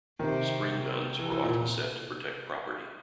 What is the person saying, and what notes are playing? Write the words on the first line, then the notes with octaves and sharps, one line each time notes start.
Spring-guns were often set to protect property.
C3 D#3
E3
E3
A#2